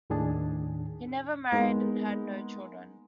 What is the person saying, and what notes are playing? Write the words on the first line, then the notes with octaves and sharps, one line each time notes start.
He never married and had no children.
D#2 A2 D#3 D4 G#4 A5
G#3 A#3 B3 D#4 A#4